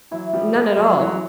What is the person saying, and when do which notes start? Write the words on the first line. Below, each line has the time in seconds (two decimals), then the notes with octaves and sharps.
"None at all."
0.11 E3 F#3 E4
0.33 F3 G3 B3
0.55 G3 A3 B4
0.77 F#3 G#3 F#4
0.99 E3 F#3 F#4